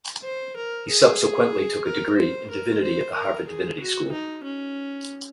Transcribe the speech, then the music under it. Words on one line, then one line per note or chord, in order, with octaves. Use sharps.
He subsequently took a degree in divinity at the Harvard Divinity School.
C5
A#4
G#4
A#4
C5
A#4
C5
A#4
G#4
F#4
D#4
C#4